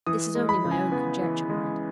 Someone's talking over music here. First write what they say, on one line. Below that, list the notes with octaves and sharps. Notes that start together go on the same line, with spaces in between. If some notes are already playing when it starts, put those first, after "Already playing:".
This is only my own conjecture, mind.
E3 D#6
G#3
B5
C#3
G#5
B3
E3
G#3